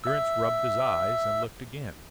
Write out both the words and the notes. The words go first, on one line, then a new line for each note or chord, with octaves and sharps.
Durrance rubbed his eyes and looked again.
E5 E6